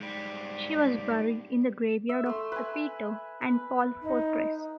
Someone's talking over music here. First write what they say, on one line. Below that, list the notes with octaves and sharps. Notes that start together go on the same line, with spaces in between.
She was buried in the graveyard of the Peter and Paul Fortress.
G#2 G3
E5
A3 C6
B4 G#5
B4
D#4